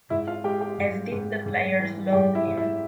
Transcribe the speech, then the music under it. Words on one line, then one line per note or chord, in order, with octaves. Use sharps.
As did the players loaned in.
G#2 E4 E5
F4 F5
G#3 G4 G5
G4 G5
G#2
G#2
G#2
E3
G#2 G4 G5
E4 E5
G#2
E4 E5